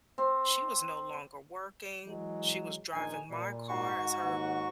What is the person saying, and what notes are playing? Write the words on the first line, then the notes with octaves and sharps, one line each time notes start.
she was no longer working, she was driving my car as her
C4
E3 F#3 G#3
A#1 D#3 G#5
A#2 G3
G#2 F#4 C#6
D#2 F#5